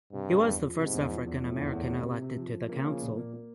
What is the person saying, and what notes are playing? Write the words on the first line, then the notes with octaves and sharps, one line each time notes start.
He was the first African American elected to the council.
G2 C3
C3
E2
F3
G#2 C3
E2
F3
E2
A2 F3
E2
E2
C3
C3
C3
F3
F3
C#3 A#3
F3
A#2
A#3
A#3